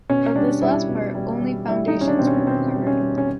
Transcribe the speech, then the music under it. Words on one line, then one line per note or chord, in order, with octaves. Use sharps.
Of this last part, only foundations were recovered.
B2 C#4
G3 D4
G3 E4
B2
G3
G3
G3 E4
D#4
G3
C#4
D4
B2 C4
C#4
B2 C4
G3
C#4
G3
C#4